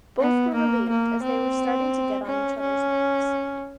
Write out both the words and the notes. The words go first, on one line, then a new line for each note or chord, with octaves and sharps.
Both were relieved, as they were starting to get on each other's nerves.
B3
A#3
A#3
C4
C#4
C#4